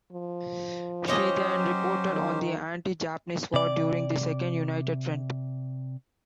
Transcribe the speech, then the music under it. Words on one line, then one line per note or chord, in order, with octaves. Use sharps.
She then reported on the Anti-Japanese war during the Second United Front.
F3
C#4 G4 C5 C#5 D#5
F#3
D#3
C3 D5